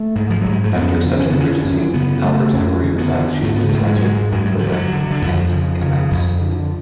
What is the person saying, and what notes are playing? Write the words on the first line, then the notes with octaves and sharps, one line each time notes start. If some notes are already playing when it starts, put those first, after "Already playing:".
After accepting the regency, Albert and Marie resided chiefly in Brunswick, Berlin, and Kamenz.
Already playing: A3
G#2
F3
G#2 F#3
G#3
A3
F2 B3
D3
C#4
D3 B3
C#4
F#2 C#4
C#3 B3
C#3 A3
F2 C#4
D3
B3
D3
G#2 A3
B3
G#2 A3
G#3
F#3
G#2 G#3
F#2 G#3
F#3
D3 F3
F#3
D3
D3
F2 F3
C#3
C#3
F2
D3